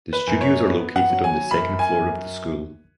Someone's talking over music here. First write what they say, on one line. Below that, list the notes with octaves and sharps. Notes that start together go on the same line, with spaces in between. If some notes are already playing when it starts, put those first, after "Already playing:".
The studios are located on the second floor of the school.
B4
F#2
C#5
B3
F#5
F#3
G#5
F#2 B5
G#5
F#2